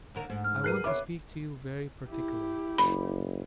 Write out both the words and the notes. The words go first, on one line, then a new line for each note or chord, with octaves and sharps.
'I want to speak to you very particularly.
D#2 D3 A#4
G#2 A3
F6
G#4 A#4 B4 F#6 C7 D#7
B3 C#5 E5 D6
E4 G4
F#1 B5